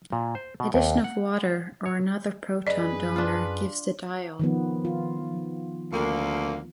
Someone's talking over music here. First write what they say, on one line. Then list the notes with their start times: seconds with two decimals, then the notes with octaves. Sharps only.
Addition of water or another proton donor gives the diol.
0.12 A#2
0.35 C5
0.60 B2
0.74 D#2
1.04 F#5
1.86 C#5
2.67 F#2 G#4 B4 D5 D#5
3.16 D4 F4
4.39 D#3 F3 B3
4.85 F4
5.93 D2 A#3